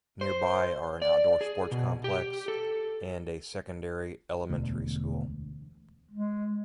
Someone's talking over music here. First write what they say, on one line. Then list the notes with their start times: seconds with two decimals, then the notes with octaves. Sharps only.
Nearby are an outdoor sports complex and a second elementary school.
0.21 C5
1.02 D5
1.41 G#4
1.71 B2
2.04 G4
2.48 A4
4.50 E1 D2
6.11 G#3